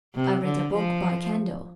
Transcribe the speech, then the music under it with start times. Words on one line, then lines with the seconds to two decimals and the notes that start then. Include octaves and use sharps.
I read a book by candle.
0.15 C3
0.44 D3
0.74 F3